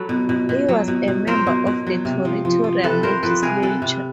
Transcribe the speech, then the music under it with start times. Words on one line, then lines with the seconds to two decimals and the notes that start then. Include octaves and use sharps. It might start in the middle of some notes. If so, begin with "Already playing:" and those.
He was a member of the Territorial Legislature.
Already playing: F#3 A4 B4
0.09 B2
0.29 B2
0.49 B2
0.68 F#3
0.88 B2
1.08 B2
1.27 F#3 A#4 C5
1.47 B2
1.67 B2
1.87 F#3
2.05 C3
2.25 F3
2.45 F3
2.64 F3
2.84 C3 A4 B4
3.03 C3 A#4 C5
3.23 F3 A4 B4
3.42 C3 G#4 A#4
3.62 C3 A4 B4
3.82 C3